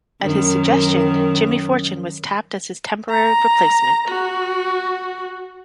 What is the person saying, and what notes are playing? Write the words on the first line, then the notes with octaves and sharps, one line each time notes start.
At his suggestion, Jimmy Fortune was tapped as his temporary replacement.
F#2 D#3
A#5
F#4